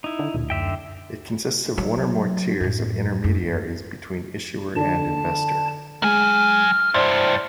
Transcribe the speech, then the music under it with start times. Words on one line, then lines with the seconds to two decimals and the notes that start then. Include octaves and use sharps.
It consists of one or more tiers of intermediaries between issuer and investor.
0.04 D#4 E4
0.19 D3
0.34 D2 A#2
0.50 F#2 D3 E5 G5
1.78 F#3
2.60 F#2 A2
3.24 F#2
4.76 D3 D4 A5
6.02 F#3 G#3 G#5 F6
6.94 G2 E4 C5 D5 C6 F6